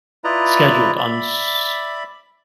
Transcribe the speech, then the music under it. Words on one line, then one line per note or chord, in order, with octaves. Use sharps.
scheduled on S
E4 F4 B4 D5 D#5 A#5
D5 E5 B5